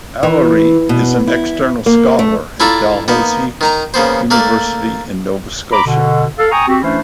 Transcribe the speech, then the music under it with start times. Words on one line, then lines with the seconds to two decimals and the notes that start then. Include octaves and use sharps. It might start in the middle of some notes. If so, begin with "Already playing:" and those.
Alary is an External Scholar at Dalhousie University in Nova Scotia.
0.23 E3
0.89 B2
1.27 E4
1.86 A#3
2.19 A3
2.60 E4 F4 A4 D5 A#5
3.08 A#3 B3 D#4
3.61 D#3 D#4 A#5
3.94 C#3 A#3 B3 C5
4.30 A3 A#3 A#4 D5
5.72 A#5 B5 D6
5.86 B2 D3
6.39 A4 F5
6.52 G5 G#5 A#5 C#6 D#6
6.68 C4 F#4 G4
6.82 E3 A3 C#4 D4 E4 C5